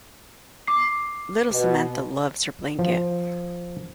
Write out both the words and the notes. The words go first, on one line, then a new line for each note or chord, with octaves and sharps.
Little Samantha loves her blanket.
D6 C7
B2
F3